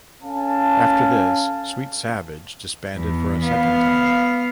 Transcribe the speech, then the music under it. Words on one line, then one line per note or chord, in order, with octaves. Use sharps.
After this, Sweet Savage disbanded for a second time.
C#4 A4 F5 G#5 A5
E2
B3 F5